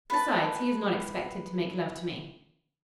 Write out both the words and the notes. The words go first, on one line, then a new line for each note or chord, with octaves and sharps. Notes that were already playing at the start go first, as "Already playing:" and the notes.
Besides, he is not expected to make love to me.
B4 A5